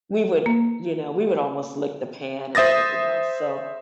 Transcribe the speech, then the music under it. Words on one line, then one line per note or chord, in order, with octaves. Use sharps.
we would, you know we would almost lick the pan and everything else, so
A#3
C5 E5 D#6 A6 A#6